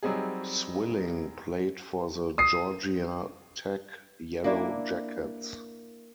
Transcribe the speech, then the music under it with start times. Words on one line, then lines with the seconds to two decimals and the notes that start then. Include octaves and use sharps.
Swilling played for the Georgia Tech Yellow Jackets.
0.03 F#3 G3 C4 D#4 G#4
2.38 D#6 C7
4.44 A#3 D4 E4